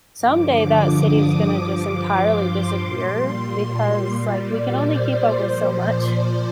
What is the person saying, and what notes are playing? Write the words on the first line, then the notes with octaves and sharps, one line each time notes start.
someday that city is gonna just entirely disappear because, like, we can only keep up with so much.
G2 D3 F3 D6
D#6
G2 F3 D6
C6
A#2 G3
A#2 G3 D5
C5
A#2 F3 C5
D5
D5